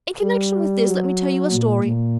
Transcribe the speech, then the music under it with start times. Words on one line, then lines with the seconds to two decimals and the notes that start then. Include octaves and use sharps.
In connection with this, let me tell you a story.
0.21 G3
0.87 F#3
1.52 A#2
1.84 A#2